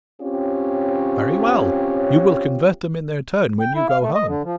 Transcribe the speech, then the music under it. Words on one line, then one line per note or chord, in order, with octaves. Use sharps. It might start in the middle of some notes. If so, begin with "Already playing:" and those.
"Very well; you will convert them in their turn when you go home."
C4 C#4 F4 G4 C#5
G5
E4
F5
A3
D#5
D3
F3